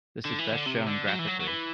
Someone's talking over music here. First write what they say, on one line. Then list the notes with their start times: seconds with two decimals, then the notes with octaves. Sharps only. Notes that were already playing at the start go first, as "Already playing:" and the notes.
This is best shown graphically.
0.25 D3
0.39 E3
0.52 D3
0.66 C3
0.87 D3
1.07 F#3
1.19 E3
1.27 F#3
1.40 F#3
1.48 E3